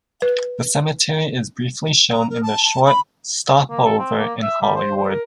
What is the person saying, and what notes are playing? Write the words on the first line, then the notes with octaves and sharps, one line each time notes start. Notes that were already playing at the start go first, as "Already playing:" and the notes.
The cemetery is briefly shown in the short "Stopover in Hollywood".
B4
A#5
A#4
A5
A5
B5
A#3
A4
C4
A#3
E5
G3
C5
C5
A#4